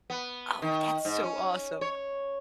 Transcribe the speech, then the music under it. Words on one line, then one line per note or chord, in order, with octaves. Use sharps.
Oh, that's so awesome.
B3
D#3
G#2
C#4
C#5